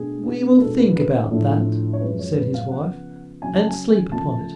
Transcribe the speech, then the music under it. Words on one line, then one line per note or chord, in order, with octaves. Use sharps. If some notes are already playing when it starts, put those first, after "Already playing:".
"We will think about that," said his wife, "and sleep upon it."
Already playing: B2 A3 D4 G#4
B4
B2 G#3 D4 A4
B4
B4
A2 F3 A3 D4
C#5
F#2 F3 G#3 C#4 B4
C#5
B4
F5
C#3 F3 B3 F#5
C#3 F#3 C#4 G#5
A5
G#5
C#3 F3 A3 A5